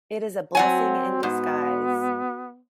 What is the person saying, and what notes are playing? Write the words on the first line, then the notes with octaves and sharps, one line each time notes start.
It is a blessing in disguise.
F#3 C4 F#4 F#5 G#5
G#2 B3